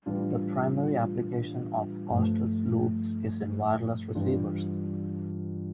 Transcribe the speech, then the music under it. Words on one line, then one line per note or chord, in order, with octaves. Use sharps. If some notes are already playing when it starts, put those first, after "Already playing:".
The primary application of Costas loops is in wireless receivers.
A2 E3 G3 D4 F4
G2 F3 A3
G2 E3 G3 D4 F4